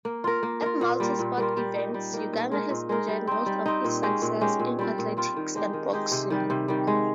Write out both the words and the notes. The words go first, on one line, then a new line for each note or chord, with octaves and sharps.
At multi-sport events, Uganda has enjoyed most of its success in athletics and boxing.
A#3
F4 A#4
A#3
F4 A#4
A#2
G3 A#3 F4
A#2
G3 A#3 F4
G3
A#3 D#4
G3
A#3 D#4
A#2
G#3 D#4 A#4
A#2
G#3 D#4 A#4
G3
C4 D#4
G3
C4 D#4
A#2
G#3 C#4 G4
A#2
G#3 C#4 G4
A#2
G3 C4 F4
A#2
G3 C4 F4
D#3
G#3 D#4 G4
D#3
G#3 D#4 G4
C3
D#3 G3
C3
D#3 G3
G#3